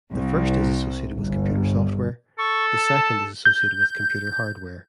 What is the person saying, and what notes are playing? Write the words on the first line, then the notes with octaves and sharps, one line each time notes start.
The first is associated with computer software, the second is associated with computer hardware.
C2
G1
A4 C#6
A5
G6